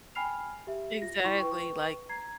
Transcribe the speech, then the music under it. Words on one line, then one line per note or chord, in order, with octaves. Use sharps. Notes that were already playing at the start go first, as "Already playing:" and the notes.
Exactly, like
G5 G#5 B5 F6 C7 F7
G4 E5
F4 A#6
E4 C6 C#6
B4 G5 C#6
A#5 G#6 C7